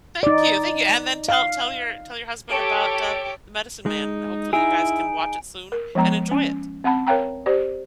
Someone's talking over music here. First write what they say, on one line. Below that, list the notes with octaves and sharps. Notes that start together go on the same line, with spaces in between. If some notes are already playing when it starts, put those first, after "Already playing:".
Thank you, thank you. And then tell tell your tell your husband about, uh, The Medicine Man. Hopefully, you guys can watch it soon and enjoy it.
D#4 D5
F5
G4 A4 C#5 D7
G#3 D#4
D#4 E4 G#4 G#5 D7
A#4
F3 G#3 B3 A#5
C#4
C4 F#5 A5 B5
A#4 C#5 F5 G5 A#5
G4 C5 D5